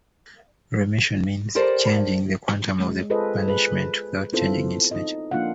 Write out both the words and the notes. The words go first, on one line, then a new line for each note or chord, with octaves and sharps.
Remission: means changing the quantum of the punishment without changing its nature.
G4 A4 A#4 C5 D5
G#3
F4 G#4 A4 B4 C5 D#5
G#4 B4
B3 C4 E4 F4 A4 C5
D#4 D#5
F3 A#3 D4 F4 F5 F#5